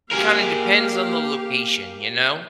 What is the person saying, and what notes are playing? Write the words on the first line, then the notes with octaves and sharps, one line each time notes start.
it kinda depends on the location, you know?
A#3 G4 G#4 A#4 F5